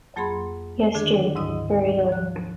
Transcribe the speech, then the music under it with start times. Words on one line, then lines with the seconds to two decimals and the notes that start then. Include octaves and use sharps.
"Yes, Jim" - very low.
0.16 F2 F#3 A#3 G#4 B5 C6
0.95 D3 D#3 D4 G#4
1.35 D2 G#2 E4 D#5 D#6
2.09 F3 F#6